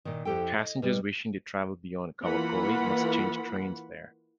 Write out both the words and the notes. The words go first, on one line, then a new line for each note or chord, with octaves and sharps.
Passengers wishing to travel beyond Kawagoe must change trains there.
A#2 D#3
F2 E4 G4 A4 G5
D#5
B2 G3
E3 A#3 F4 F#5 B5